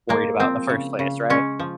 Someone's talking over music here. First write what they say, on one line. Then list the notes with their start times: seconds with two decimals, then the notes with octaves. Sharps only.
worried about in the first place, right?
0.09 G#3 A#3
0.40 F3 C4
0.69 C#3
0.99 C#3
1.30 G#3 C#4
1.60 F3